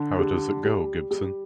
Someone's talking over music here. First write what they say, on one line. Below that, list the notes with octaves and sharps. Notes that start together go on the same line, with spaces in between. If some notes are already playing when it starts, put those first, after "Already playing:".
How does it go, Gibson?
Already playing: D3
G3
G3
G3